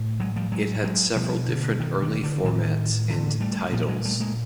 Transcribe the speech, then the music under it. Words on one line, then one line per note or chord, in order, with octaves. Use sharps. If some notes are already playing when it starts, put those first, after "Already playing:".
It had several different early formats and titles.
Already playing: A2
F#3 G#3
F3 G3
F#3 G#3
F#3 G#3
B2 F3 G3
D3
D#3
D#3
D3
A2 D#3
D3 E3
G3 A3
A#2 F3 G3
F#3 G#3
G3 A3
G#3 A#3